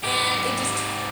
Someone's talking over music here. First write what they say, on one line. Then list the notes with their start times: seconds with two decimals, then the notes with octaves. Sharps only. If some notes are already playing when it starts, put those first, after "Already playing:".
and it just turned
0.03 G#2 G4